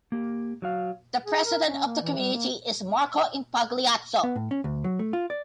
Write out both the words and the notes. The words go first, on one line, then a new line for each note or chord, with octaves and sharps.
The president of the Community is Marco Impagliazzo.
A#3 G4
F#3 F#4 F5
G#4
A#4
C#4
A#3
E3
G3
A#3
B3
A2
C#4
D2
F#3
A3
F4
D5